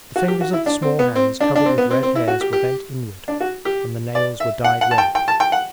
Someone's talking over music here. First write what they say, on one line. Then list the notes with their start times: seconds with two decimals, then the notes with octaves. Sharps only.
The fingers of the small hands covered with red hairs were bent inward, and the nails were dyed red.
0.16 F#4
0.28 G4
0.41 F#4
0.53 E4
0.66 D4
0.82 C4
0.99 B3
1.16 C4
1.40 D4
1.56 D4
1.66 C4
1.78 B3
1.90 C4
2.03 C4
2.15 E4
2.28 F#4
2.41 G4
2.53 G4
3.28 D4
3.40 F#4
3.65 G4
4.15 D5
4.40 E5
4.64 F#5
4.81 F#5
4.91 A5
4.98 G5
5.15 G5
5.28 A5
5.40 G5
5.52 F#5